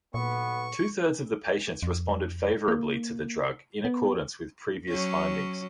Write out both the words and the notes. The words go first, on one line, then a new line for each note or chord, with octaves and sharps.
Two-thirds of the patients responded favorably to the drug, in accordance with previous findings.
B1 A#2 B3 C#6
F2
A#3
B3
F#3 C#4